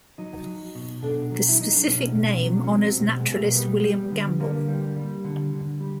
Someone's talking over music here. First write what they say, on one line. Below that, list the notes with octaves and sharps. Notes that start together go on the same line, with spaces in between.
The specific name honors naturalist William Gambel.
F#3 D#4
F#3
B2
B2 D4
F#3
E4
F#3 D#4
D4
B2 C#4
B2
F#3
C#4
F#3 C4
B2
G#3
B2
A3
A#3
G3 B3
G3
D3
D3 A#3
G3
G3
D3
D3
G3